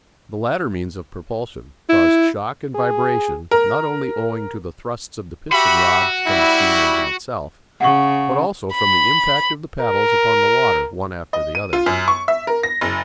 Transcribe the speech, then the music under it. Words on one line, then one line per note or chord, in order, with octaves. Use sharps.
The latter means of propulsion caused shock and vibration not only owing to the thrusts of the piston-rod from the steam-engine itself, but also from the impact of the paddles upon the water one after the other.
E4
G#4
A#4
F#4 G4 E5 B5
G3 E4
C#3 F#5 C#6
B5
A#4
D#5
D#7
F4
F#2
C#6
E5
A#4
A#6
F#1